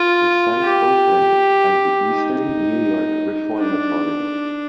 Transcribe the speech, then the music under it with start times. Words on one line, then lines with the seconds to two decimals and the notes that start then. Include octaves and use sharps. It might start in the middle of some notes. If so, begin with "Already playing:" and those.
The site opened as the "Eastern New York Reformatory".
Already playing: F4
0.63 G4
2.10 D#4
3.59 D4